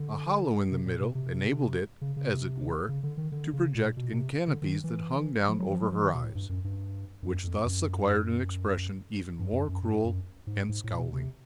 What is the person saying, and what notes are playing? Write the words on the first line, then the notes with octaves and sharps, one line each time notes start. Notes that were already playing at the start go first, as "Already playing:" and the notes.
A hollow in the middle enabled it, as it were, to project in canopies that hung down over her eyes, which thus acquired an expression even more cruel and scowling.
Already playing: D3
C3
A#2
B2
C3
C#3
C#3
C3
C#3
D3
D#3
D3
C#3
A#2
B2
B2
C3
D3
D#3
E3
F3
F#3
F3
F#3
F3
D#3
B2
A2
G2
F#2
G2
F#2
F2
F#2
G2
F#2
F#2
G2
F#2
G#2
G#2
A2
A#2
B2
C3